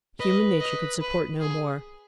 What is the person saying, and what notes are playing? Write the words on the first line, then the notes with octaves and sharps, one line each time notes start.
Human nature could support no more.
B4 D#5
D#5
B4
G#4